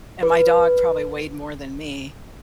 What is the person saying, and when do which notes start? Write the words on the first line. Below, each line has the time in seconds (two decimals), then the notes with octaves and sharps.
and my dog probably weighed more than me,
0.23 B4